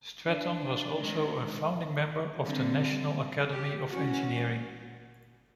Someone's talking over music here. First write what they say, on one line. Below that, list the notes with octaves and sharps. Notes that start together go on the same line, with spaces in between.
Stratton was also a founding member of the National Academy of Engineering.
D4
D#3 G#3 C4
D3 G3 C4
G4
E3 G#3 C#4 F#4